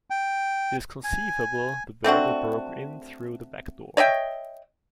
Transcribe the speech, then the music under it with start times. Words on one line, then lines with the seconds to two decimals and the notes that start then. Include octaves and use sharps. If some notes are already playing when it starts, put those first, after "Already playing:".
It is conceivable the burglar broke in through the back door.
0.10 G5
1.04 G#5
2.04 A3 C4 D4 F#4
3.97 C#5 D#5 E5 G5